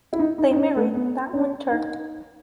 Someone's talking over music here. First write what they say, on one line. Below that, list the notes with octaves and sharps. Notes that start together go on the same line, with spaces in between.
They married that winter.
E4
D#4
D#4
D#4
C#4
A3
B3
C#4
D#4